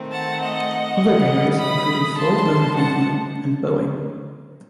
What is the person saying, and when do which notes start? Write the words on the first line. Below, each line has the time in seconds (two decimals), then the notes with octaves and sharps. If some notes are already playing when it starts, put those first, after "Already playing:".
Other bidders included Ford Motor Company and Boeing.
Already playing: D#3 A3 C4
0.11 F#5 A5
0.41 D#5 F#5
1.00 A2 E3 G3
1.58 B5 D#6
2.16 A2 G3 C4 D#4 A5 C6
2.75 F#5 A5